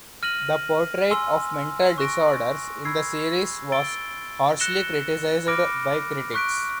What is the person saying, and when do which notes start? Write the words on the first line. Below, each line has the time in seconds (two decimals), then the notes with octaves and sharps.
The portrait of mental disorders in the series was harshly criticised by critics.
0.23 F6 A#6 D#7 F#7
1.10 G#5 C6 E6
1.98 C#6 F#6 A#6 D7
2.85 B5 E6 G#6 C7
3.72 E6 A6 D7 G7
4.60 F#6 A#6 C#7 E7 G7
5.47 B5 D6 F6 A#6 D7
6.34 C#6 F#6 B6 D7